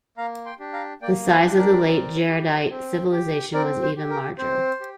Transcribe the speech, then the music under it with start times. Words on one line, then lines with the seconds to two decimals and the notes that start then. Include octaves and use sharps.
The size of the late Jaredite civilization was even larger.
0.17 A#3 F5 A#5
0.46 G5 C6
0.59 D4 G4
0.73 F5 A#5
1.02 A#3 D5 G5
1.30 C5 F5
1.44 D4 G4
1.58 A#4 D5
1.86 C4
2.28 G4
2.70 C4
3.12 G4
3.54 C4 A#4 D5
3.82 C5
3.96 G4
4.10 A#4
4.38 C4 C5
4.80 G4